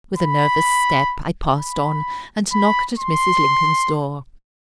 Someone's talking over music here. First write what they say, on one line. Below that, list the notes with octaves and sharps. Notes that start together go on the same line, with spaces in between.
With a nervous step I passed on, and knocked at Mrs. Lincoln's door.
B5
B5
B5
C6